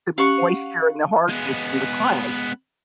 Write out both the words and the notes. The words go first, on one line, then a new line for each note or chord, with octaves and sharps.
the moisture and the hardness in the clay,
C#4 G4 F5 F#5 C#6
G#3 B3